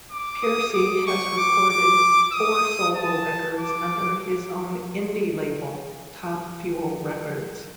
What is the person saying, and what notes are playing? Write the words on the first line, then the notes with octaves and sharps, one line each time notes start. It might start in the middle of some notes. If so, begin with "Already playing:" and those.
Pearcy has recorded four solo records under his own indie label Top Fuel Records.
D6
D#6
D6
C#6
D6
D6
D#6
A5
D6